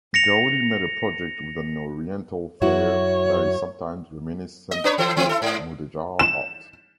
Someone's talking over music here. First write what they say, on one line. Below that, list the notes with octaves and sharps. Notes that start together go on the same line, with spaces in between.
Gaudi made a project with an oriental flare that is sometimes reminiscent of Mudejar art.
A#6 C#7 F7
F#2 E4 F#4 C#5
D#5
D4 B4 C#5
E3 A4 C5
E3 C4
E4 A4
G#2
E7